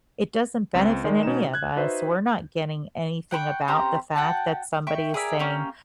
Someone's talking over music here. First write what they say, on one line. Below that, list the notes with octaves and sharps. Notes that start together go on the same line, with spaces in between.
it doesn't benefit any of us. We're not getting anything about the fact that somebody is saying
C#2 C4
D#3 G#3 D5
B2 C#4 D#4 E7
F#6 G#6
D#4 F#4 B4 C5 E5
F#5 G5 B5 C#6
C4 C#4 G4 A#5
F#4 F#5 G5 A5
E5 G5 C#6
G#4 A#4 D5 E5
A#3 C#4 G4